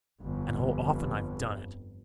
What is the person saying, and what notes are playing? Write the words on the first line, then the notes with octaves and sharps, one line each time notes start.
And how often I've done it!
G1 F2